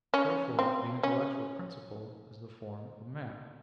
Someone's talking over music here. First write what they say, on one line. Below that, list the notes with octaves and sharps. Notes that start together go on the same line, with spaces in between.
Therefore the intellectual principle is the form of man.
C#4
C4
C#4